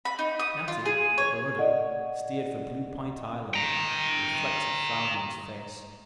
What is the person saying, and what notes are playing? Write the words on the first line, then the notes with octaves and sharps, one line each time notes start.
Natty, at the rudder, steered for Blue Point Island, a reflective frown on his face.
B5
D#4
D#6
F4
G#4
C#5
D5 D#5 F#5
G5 A#5